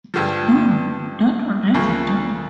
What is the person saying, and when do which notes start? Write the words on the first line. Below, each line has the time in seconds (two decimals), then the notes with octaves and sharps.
No, that would never do.
0.14 G2 D3 F3
1.74 D2 C#3 F3 A#3